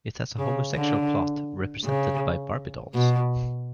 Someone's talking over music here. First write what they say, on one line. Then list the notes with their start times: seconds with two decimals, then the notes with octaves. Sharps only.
It has a homosexual plot, represented by Barbie dolls.
0.38 C#3
0.75 D3
1.85 C#3
2.94 B2